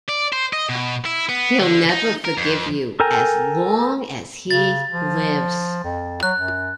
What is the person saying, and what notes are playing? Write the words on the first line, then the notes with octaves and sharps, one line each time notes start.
He'll never forgive you as long as he lives.
D5
C5
D#5
B2
E4
B3
D3
D#4
A#4
F2
A4 A#4 G5 G#5 A#5
C#3 A6
F3
F2
F#3 F#6
F#2